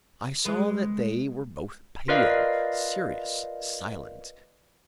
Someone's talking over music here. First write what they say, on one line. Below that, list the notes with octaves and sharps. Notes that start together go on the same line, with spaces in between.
I saw that they were both pale, serious, silent.
G#3 B4
F4 A#4 B4 D5 D#5 F5